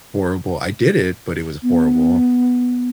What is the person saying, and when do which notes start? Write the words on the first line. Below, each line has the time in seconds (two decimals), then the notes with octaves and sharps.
horrible. I did it, but it was horrible.
1.63 B3